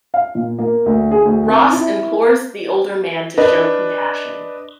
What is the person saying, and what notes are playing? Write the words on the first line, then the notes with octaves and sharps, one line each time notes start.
Ross implores the older man to show compassion.
F5
A#2
A#3
D2
G#4
D2
C4
E4
D4 B4 D#5